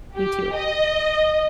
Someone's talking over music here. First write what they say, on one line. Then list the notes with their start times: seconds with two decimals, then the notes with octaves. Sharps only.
me too.
0.15 G4
0.55 D#5